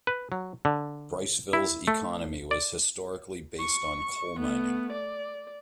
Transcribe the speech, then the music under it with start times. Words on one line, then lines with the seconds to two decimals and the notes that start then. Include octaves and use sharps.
Briceville's economy was historically based on coal mining.
0.07 B4
0.32 F#3
0.65 D3
1.53 E4
1.88 A3
2.51 D5
3.59 C#6
4.39 A3 B3
4.92 D5